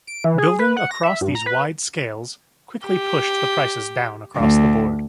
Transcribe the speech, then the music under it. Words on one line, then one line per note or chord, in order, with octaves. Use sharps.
Building across these wide scales quickly pushed the prices down across the board.
D7
E3
G#4
B4
F#5
A#6
E5
G2
A#5
B4
G4
D2